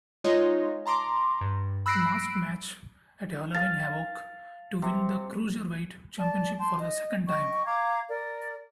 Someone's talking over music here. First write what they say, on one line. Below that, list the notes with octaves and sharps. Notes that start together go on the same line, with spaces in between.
Mask match at Halloween Havoc to win the Cruiserweight Championship for the second time.
G#3 D#4 F4 C#5 D#5
A5 A#5 C6 D6
G2
B5 E6 F#6 A#6 C7 D7
F5 A5 A6
C3
D5 A5
G5 A5 C6
D#5
D#5 G5 C#6
F5 A#5 D6 G#6
A#4 D5